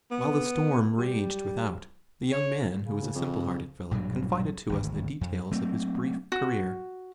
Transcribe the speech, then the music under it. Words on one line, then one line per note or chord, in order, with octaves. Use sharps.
While the storm raged without, the young man, who was a simple-hearted fellow, confided to us the details of his brief career.
B3
G3
C#5
C#3
D#2
F2
A#1 G2 B2 F#3
G#1 D2
F2
F#3 A3 A#3 C4
F#4